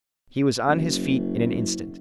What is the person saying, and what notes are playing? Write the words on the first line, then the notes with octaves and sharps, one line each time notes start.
He was on his feet in an instant.
F#1